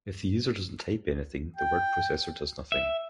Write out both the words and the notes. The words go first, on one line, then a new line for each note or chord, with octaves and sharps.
If the user doesn't type anything, the word processor does nothing.
G5
E5